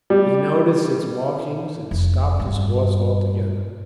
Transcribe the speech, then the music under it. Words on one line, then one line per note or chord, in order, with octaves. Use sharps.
He noticed its marking, and stopped his horse altogether.
G3
F1
G2